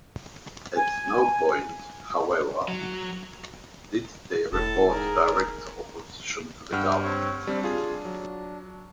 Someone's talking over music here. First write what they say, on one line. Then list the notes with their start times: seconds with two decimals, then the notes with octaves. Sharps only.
At no point, however, did they report direct opposition to the government.
0.75 G#5
2.69 F#3
4.53 E1 A2 A4 A5
4.90 G#2 G#4 A#4
6.72 G2 F#5 G5 E6 F6
7.03 C4 C#5
7.47 G3 C4 D4
7.64 F4 G#4
8.05 F#3